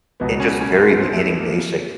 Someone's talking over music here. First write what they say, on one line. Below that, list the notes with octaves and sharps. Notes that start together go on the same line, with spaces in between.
it just very beginning basic
C#2 B2 F#3 B3
C#4
C#4
C4
B3
C4
A3
B3
A#3